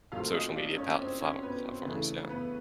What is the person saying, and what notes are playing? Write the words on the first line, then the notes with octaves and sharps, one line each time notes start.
social media palt flaut platforms, yeah.
A#2 F#3 A3 C4 F4 F5
D#4 D#5
D4 D5
C#4 C#5
C4 C5
C#4 C#5
B3 B4
C4 C5
C#3 E3 A3 D4
B3 B4